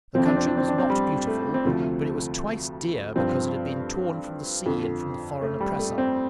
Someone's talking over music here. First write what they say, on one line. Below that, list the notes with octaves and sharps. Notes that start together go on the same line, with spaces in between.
The country was not beautiful, but it was twice dear because it had been torn from the sea and from the foreign oppressor.
F2 C3 F3 C4
D4
C4
D4
C4
D4
C4
G3
A3
C4
D2 C3 F3 A3
G2 F3 C4
F2 D3 F3
A3
G3
A3
C4